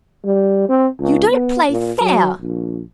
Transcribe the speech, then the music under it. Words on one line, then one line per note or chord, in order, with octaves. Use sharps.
"You don't play fair."
G3
C4
C#2
B3
A#2
F#3
A#1